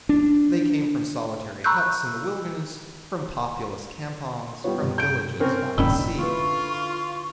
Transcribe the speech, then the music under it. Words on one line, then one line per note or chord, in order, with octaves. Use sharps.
They came from solitary huts in the wilderness, from populous campongs, from villages by the sea.
D4
A#5 B5 C#6 E6 F#6 G6
G3 B3 F4 C#5
G2 C3
G6 D7
C4 C#4 A#4
D1 F#2 A#2 D#3 C#4 B5 E6
D3 E4 F4 B4 C#6